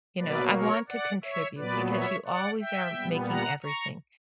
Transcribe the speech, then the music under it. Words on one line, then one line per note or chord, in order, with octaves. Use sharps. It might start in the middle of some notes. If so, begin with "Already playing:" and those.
You know, I want to contribute because you always are making everything."
B2 F#3 A#3 B4 D5
A#4 C#5
D5 F#5
C#5 E5
A#2 F#3 B3 B4 D5
C#5 E5
D5 F#5
E5 G5
A#2 G3 B3
F#5 A#5
A#5 C#6